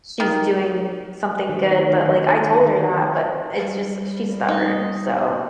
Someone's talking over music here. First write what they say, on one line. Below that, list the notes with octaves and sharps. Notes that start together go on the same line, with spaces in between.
she's doing something good, but, like, I told her that but, it's just she's stubborn, so
D#3
D#3 A3
G3
D#4